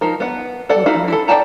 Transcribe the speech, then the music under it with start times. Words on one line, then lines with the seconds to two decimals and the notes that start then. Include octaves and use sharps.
Oh, go ahead.
0.01 F3 D#4 A#4
0.20 B3 F#5
0.69 A4 D5 F#5
0.86 D#4 E4 F#4 F5
1.08 E4 A4
1.28 D5 F#5 G5 A5 A#5